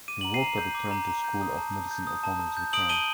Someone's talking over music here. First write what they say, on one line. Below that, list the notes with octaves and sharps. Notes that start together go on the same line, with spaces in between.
He worked at the Toronto School of Medicine upon his return.
D6 D#7
A#5 F#7
C7 D#7
A#5
G6
D6
A#5
A#5
G6
D#6
A5
A5
G6
D#6
A5
A5
G6
D#6 D7 F#7
A5 D#7 G7